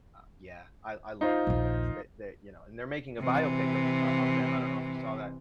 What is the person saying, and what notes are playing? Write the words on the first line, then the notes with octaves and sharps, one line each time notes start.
uh, yeah, I I love those guys, they they, you know, and they're making a biopic of, uh, of them I don't know if you saw that
D#4 F4 C5
A#1 D#2
C3 E3